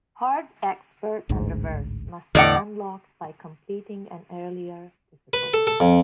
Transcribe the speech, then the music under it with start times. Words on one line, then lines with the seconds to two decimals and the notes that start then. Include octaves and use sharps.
Hard, Expert, and Reverse must be unlocked by completing an earlier difficulty.
1.29 A1 D2 G#2
2.35 E2 A2 D3 E3 D5 F#5
5.33 B4
5.54 A4
5.67 A4
5.80 F2